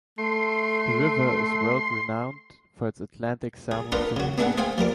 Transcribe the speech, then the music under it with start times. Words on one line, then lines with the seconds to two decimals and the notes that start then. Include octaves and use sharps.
The river is world-renowned for its Atlantic salmon fishing.
0.18 A3 C6
3.71 G#4
3.92 D4 F4 A#4 B4 D#5
4.16 C#3 F#4
4.38 B3 D4 E4 G#4 B4 F#5
4.58 G#4 C5 F5 G5 G#5
4.78 F3 G3 A#4 D6